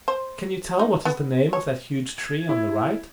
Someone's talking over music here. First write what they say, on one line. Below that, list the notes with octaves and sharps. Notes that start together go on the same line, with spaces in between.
Can you tell what is the name of that huge tree on the right?
C5
D#4
B3
C#5
G#6
E4